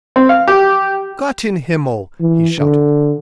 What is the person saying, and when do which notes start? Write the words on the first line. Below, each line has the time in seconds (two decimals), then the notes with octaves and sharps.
"Gott in Himmel!" he shouted.
0.16 C4
0.29 F5
0.48 G4
2.20 E3
2.58 D3